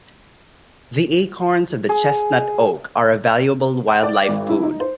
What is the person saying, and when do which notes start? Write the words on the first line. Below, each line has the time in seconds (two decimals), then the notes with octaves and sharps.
The acorns of the chestnut oak are a valuable wildlife food.
1.89 G#4
3.88 G5
4.03 D5
4.29 G#1
4.49 E4
4.63 D#4
4.80 C5